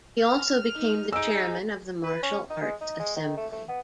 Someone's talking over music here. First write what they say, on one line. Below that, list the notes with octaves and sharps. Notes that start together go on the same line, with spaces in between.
He also became the chairman of the martial arts assembly.
F6
D#4
D#4 G#4 E6 D7
B4
C#4
D#4
G#3
D#4
G#3
D#3
A3
A3
B3